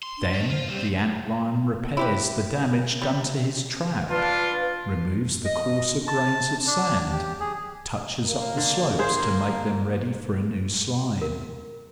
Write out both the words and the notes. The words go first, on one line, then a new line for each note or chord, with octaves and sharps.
Then the Ant-lion repairs the damage done to his trap, removes the coarser grains of sand, touches up the slopes to make them ready for a new slide.
C6
D4
D#3
F4 C5
E2 G3 C4
E4 G4 B4
G3
D4 F4 B4
D#5
A5
D4
G4
G#4
A#3
D3
G#4 C5
A#4